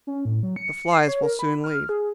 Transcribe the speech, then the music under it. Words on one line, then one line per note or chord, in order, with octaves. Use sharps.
The flies will soon leave.
C#4
A2
F#3
C#7
C7
C#5
A#4
B5
F6
G#4